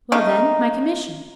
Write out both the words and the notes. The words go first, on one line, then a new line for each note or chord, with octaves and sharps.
"Well, then,--my commission?"
C#3 A3 D#4